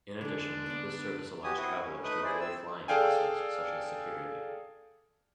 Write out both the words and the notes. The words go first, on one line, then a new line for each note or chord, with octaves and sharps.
In addition, this service allows travelers to avoid flying hassles such as security.
D3 G#3 D4
B3 D5
F#4 G4 G#5 D#6
C4 E4 F#4 D#6
C#4
A3 D#4 B4 D#6 F#6
E4 G#4 C5 D5
C4 E6
G#4 A4 D5 F5 G5 G#5